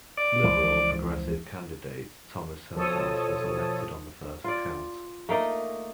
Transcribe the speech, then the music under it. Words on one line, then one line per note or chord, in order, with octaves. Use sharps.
Liberal-Progressive candidate Thomas Hillhouse was elected on the first count.
D5
C#2 E3 F3
B2 F3 A4 C#5 A5 D#6
F4 D5
A3 A#3 D#4